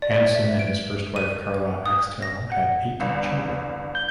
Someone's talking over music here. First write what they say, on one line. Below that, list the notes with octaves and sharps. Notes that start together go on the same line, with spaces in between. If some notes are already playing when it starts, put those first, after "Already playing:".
Hansen and his first wife Karla Axtell had eight children.
D5
E5
D7
D#7
D#6
A#6
F#5
G1 C2
G6